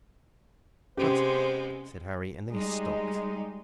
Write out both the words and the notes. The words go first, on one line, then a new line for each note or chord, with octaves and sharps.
"But--" said Harry, and then he stopped.
C3 G#3 B3 C#4 G4 C5
G3 G#3 D#4